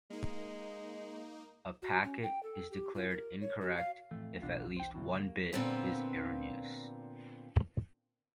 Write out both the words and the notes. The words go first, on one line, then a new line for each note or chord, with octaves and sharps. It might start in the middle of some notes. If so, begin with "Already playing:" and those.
A packet is declared incorrect if at least one bit is erroneous.
G#3 A#3 D#4
F#4
C#4
G5
A4
G4
F4
A#4
C#5
F#4
F5
F2 A2 E3 A3
F1 B1 B2 E3 D4 F4
C5 G5
C#2 F#2 B2 D3
A#3
A#2 D3 B3 C4 F4 B4